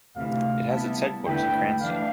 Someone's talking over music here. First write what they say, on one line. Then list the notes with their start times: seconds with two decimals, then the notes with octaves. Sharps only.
It has its headquarters in Cranston.
0.15 D2 C3 E3 F5
0.71 G3 B3 E4 A5
1.26 E2 D3 A3 E4 B4 G5
1.81 E3 A3 D4 F5